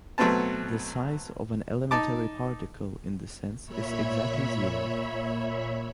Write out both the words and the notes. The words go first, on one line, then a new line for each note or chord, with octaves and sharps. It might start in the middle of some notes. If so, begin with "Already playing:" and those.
The "size" of an elementary particle, in this sense, is exactly zero.
B2 F#3 A3 B3 C4 A5
D#4 A5 D6
A#2 C#5 E5 B5